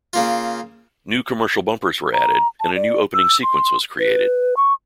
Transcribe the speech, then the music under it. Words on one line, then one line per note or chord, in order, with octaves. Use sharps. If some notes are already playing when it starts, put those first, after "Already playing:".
New commercial bumpers were added and a new opening sequence was created.
C#3 A#3 F4
A#5
A5
D5
E6
C6
B4
C#6